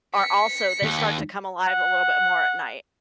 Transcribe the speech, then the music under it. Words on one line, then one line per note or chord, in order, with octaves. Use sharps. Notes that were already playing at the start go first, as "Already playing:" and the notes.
are also they start to come alive a little bit more at night.
B6 C#7
D#2
F#5